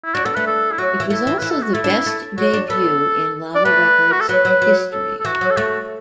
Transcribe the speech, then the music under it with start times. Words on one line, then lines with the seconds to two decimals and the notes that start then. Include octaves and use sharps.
It was also the best debut in Lava Records' history.
0.04 E4
0.14 D4 F#4
0.25 B3 A4
0.35 A3 B4
0.47 A4
0.72 E4
0.78 F#3 F#4
1.00 E3
1.10 A3 E4
1.27 E3
1.39 E3 B4
1.51 A4
1.62 F#4
1.74 A3 E4
1.84 D4
1.90 B3
2.06 A3
2.38 F#3 F#4
2.53 D4
2.70 B3 A4
3.55 D5
3.65 A3 B4
4.12 F#4
4.20 A4
4.29 F#3 B4
4.45 F#3
4.62 F#3
4.93 A4
5.21 A4
5.25 E3 F#4
5.41 F#3
5.51 A4
5.57 A3 F#4